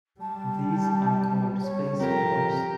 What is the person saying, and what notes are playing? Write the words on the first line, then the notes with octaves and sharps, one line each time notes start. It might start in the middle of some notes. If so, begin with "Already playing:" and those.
These are called space forms.
G3 A5
C#5
F2 G4 A#4 A#5